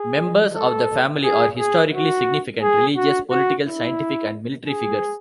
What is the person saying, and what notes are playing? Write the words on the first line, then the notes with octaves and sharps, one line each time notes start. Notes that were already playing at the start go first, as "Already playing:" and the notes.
Members of the family are historically significant religious, political, scientific, and military figures.
Already playing: G#4
A4
G#4
G#4
F#4
G#4
F#4
F#4
E4
G#4